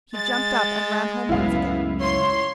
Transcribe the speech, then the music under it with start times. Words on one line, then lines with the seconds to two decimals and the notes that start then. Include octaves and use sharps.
He jumped up and ran homewards again.
0.15 G#3 A6
1.29 C#2 F#2 A2 B3 E4 F5
2.01 C#5 C6